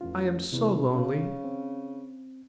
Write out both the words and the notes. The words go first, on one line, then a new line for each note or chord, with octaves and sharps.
I am so lonely.
A1 F2 F4
E2 C3
C#3
C4